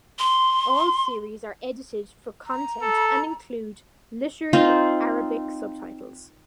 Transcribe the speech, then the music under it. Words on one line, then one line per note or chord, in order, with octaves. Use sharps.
All series are edited for content and include Literary Arabic subtitles.
C6
A#5
A4
C4 D#4 F4 C5